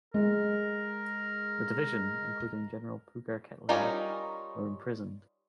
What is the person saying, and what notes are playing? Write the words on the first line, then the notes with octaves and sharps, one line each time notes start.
The division, including General Prugar-Ketling, were imprisoned.
G#3 A#4
G3 C#4 D#4 F4 A#4